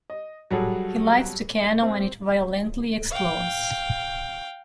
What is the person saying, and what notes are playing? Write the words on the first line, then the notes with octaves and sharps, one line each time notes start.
He lights the cannon and it violently explodes.
D#5
F#3 G3 F#4 G#4 A4
C4
F5 G5